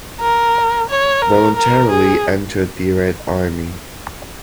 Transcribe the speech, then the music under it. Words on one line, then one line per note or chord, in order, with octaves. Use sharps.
Voluntarily entered the Red Army.
A#4
C#5
A#4
A#4
G#4